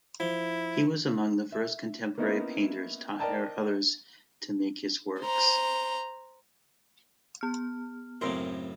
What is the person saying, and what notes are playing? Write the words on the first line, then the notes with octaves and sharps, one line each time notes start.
He was among the first contemporary painters to hire others to make his works.
F3 E4
E5
A#3 B3 C#4 D#4 E4
A#4 D5 D#5 G5 A5 A#5
C5 A#5
B3 F6
F#2 A2 C#3 C4 A#4 C5